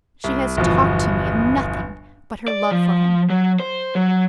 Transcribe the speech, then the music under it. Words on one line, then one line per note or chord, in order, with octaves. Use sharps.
She has talked to me of nothing but her love for him.
C2
G1 E2 B2 F3
D5
F3
F#3
C5
F#3